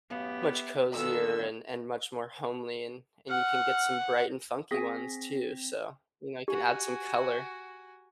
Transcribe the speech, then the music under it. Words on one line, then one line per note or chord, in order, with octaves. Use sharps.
much cozier and and much more homely, and and you can get some bright and funky ones too, so, you know, you can add some color.
F#2 A2 B3 G4 F5
E5
G2 A#2 D3 D#3 B3 A4 E6
F#5 F6
C4 G#4 G#5 A#6 B6
F#4 G4 G#5